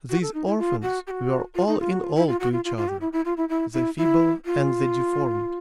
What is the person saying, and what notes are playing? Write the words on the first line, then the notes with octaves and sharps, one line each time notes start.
These orphans were all in all to each other, the feeble and the deformed.
F#4
A4
D#4
E4
F4
F#4
G4
F#4
F4
D#4
F4
F#4
F4
E4
F4
F#4
F4
F4
F4
G4
E4
E4
F4
E4
E4
E4
E4
F4